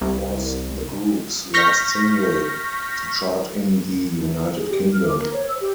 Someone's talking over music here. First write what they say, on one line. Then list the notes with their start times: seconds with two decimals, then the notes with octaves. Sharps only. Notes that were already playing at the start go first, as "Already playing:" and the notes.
It was the group's last single to chart in the United Kingdom.
0.01 C2
1.54 C#6 F6 G6 A#6 B6
4.56 G#4
4.69 G4
4.92 F6
5.05 D6
5.20 A#4
5.33 C#5
5.48 E6
5.60 G4